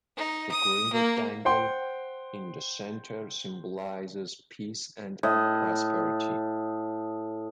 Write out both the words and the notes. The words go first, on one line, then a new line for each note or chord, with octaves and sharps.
The green rectangle in the center symbolizes peace and prosperity.
D#4
D#6
A#3
C5 F#5 G5 C6
A2 D#5